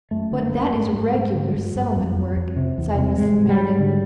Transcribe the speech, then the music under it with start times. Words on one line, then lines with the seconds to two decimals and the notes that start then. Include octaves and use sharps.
"But that is regular settlement work," sighed Mrs. Merideth.
0.11 F#2 A3
0.32 D3
0.43 A#3
0.53 F#2
0.73 G#2 A3
0.93 G#2
1.14 G#2
1.34 D3
1.55 G2
1.76 G2
1.96 F2
2.16 F2
2.37 F2
2.56 C3
2.78 E2
2.98 C3
3.18 G#2 G#3
3.38 G#2
3.49 G3
3.60 G#2
3.79 D3